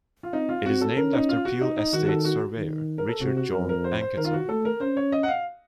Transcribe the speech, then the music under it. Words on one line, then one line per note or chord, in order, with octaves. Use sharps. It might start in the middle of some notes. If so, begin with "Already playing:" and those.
It is named after Peel Estate's surveyor, Richard John Anketell.
F4
C4 D#4
F4
C4 F#4
A4
C#4 A#4
D#4
F4
F#4
D#4
D#4
D#3 F#4
F#4
A4
F#4
D#3
A#4
A4
C3 F#4
F#4
F2 A#4
A#4
C5
C5
D#3 A#4
F4
F#4
A3 A4
A#4
C#4 C5
C#5
D#5
F#5
F5